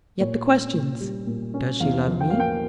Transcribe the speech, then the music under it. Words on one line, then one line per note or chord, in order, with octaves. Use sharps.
Yet the questions--Does she love me?
A#2 C#5
C#4
A#2
G3
A#2
C#4
E2 F5
F3
G5
A#3 F5
G5